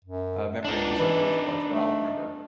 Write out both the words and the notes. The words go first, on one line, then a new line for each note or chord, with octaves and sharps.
uh, memory just like yours was that I'll remember.
F#2
C#2 D4 D#4
E3
A3